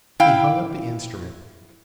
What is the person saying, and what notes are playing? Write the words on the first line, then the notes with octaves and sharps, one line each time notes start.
He hung up the instrument.
E4 F5 G5